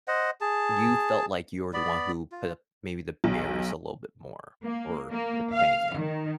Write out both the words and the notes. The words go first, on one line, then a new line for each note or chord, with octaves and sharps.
you felt like you were the one who put up maybe the barriers a little bit more, or if anything.
C5 D#5 F#5
G#4 A5
B3 D5 B5
F4
B1
A#3
A#3
F5
D#3